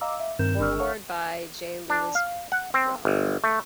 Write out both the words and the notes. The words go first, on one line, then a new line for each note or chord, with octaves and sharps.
Foreword by J. Lewis Browne.
D#5 F5 A#5 D6 E6
E5
G2 D#3 C4 A#4 G6 E7
G1 D4 A#4 C#6 E6 F6
C#5 F5 F#5 C#6 F6
D4
F5
F#5
C4
G1
A3